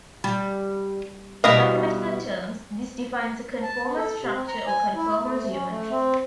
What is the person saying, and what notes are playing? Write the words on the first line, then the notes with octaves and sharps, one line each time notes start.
In mathematical terms, this defines a conformal structure or conformal geometry.
G3
B2 G3 E4 D#5 F5
A5
B3
A4
C3
C4
A#5
G#5
E4
A3
C#4
A3
C4